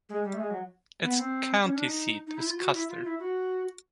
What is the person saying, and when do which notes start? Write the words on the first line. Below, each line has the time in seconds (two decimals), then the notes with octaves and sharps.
Its county seat is Custer.
0.09 G#3
0.24 G3
0.34 A3
0.40 G#3
0.50 F#3
1.03 B3
1.18 C4
1.64 C#4
1.75 D4
1.85 D#4
2.27 D#4
2.38 E4
2.47 F4
2.58 F#4
2.73 E4
2.89 F4
3.04 E4
3.19 F#4